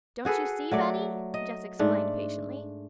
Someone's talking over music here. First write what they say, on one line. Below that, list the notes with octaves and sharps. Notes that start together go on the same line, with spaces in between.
"Don't you see, Benny?" Jess explained patiently.
F#4 G#4 A4 B4
F#3 A3 D5
D#5
G#2 A3 D4